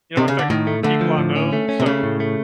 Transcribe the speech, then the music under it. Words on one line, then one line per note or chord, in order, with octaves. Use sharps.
you know, it affects people I know. So,
C3
C#3
D3
A2 D#3
A3
D3 A3
F3
A2
C#4
A3
C#4
C3
C#3 A3
A2
A3